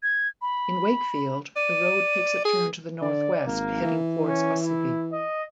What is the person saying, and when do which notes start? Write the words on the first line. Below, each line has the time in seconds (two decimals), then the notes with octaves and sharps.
In Wakefield, the road takes a turn to the northwest heading towards Ossipee.
0.03 G#6
0.42 B5
1.56 D5 D#7
2.45 G#4
3.02 D3 D5
3.46 G#1 A#3
3.85 E3
4.28 C#4
4.64 E4
5.12 D#5